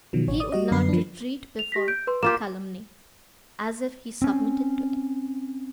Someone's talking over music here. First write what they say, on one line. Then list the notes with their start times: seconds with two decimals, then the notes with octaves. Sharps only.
He would not retreat before calumny, as if he submitted to it.
0.13 B2 D#3 F3 F#3
0.28 A1 C#5
0.40 D5 D#6
0.52 G3 F#4 D#5
0.71 F#2 D3 B3 B4 C7
0.89 F3 D4
1.59 F7
1.72 G4 A#6 B6
1.88 G6 D7
2.07 B4 C6
2.23 A#3 F4 G4 E7
4.22 C4 C#4